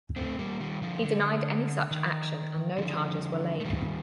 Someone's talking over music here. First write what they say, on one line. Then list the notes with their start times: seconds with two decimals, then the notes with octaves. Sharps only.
He denied any such action and no charges were laid.
0.16 A3 C4
0.39 G3 A#3
0.60 D#3 G3
0.82 D3 F3
1.04 D3
1.91 D#3
2.78 D3 F3
3.61 A3
3.65 D#3 G3